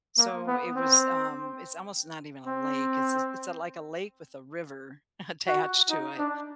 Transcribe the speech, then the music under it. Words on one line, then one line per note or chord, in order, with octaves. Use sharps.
so it was, um it's almost not even a lake, it's it's like a lake with a river attached to it,
A#3
B3
C4
C4
F#4
D#4
D4